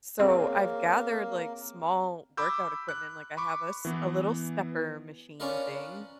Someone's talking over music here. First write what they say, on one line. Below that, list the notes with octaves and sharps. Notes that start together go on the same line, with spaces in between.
so, I've gathered, like, small workout equipment, like, I have a s a little stepper machine thing
A#3 C4 G#4 C#5
B5 D6 E6 G6
F#6
B5 C#6 D6
E3 B3
C#4 D4 F4 A#4 B4 D#5